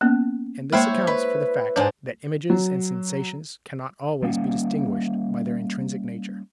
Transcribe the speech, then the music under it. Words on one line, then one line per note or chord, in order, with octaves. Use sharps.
And this accounts for the fact that images and sensations cannot always be distinguished by their intrinsic nature.
A#3 B3 C#4
G#3 A#3 E4 C5 C#5 G5
B4
G#2 D4 C#5 G#5
F#3
G3 A#3 C#4